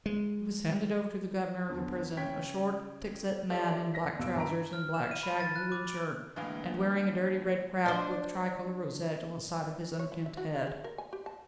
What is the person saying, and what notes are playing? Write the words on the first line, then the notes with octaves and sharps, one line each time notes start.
She was handed over to the governor of the prison, a short, thick-set man in black trousers and black-shag woollen shirt, and wearing a dirty red cap, with tricolour rosette on the side of his unkempt head.
G#3
E2 D3
C#3 C#5 G5 G#6 B6
G4 A4 C#5 D5 E5 A5
A#6 B6
G1 B2 G4 F5 E6 D7
G2 F4 B4 A#5 B5 D7
F6
E7
D#7
B5
A6
F#6
D6
D7
D2 A2 E3 G#3 A#3 D4 F5
D4 C5
C#5
E4
E5
F#4
B4
G#4
A#4
G#5
G4
A5